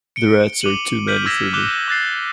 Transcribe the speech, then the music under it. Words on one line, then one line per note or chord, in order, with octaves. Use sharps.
The rats are too many for me.
C#7 D7 G7
D6 D#7 F#7
F6 G6 B6 D#7 F#7
D6 E6 G#6 A#6 B6 E7
D6 F#6 E7 G7
D6 F#6 A6 C7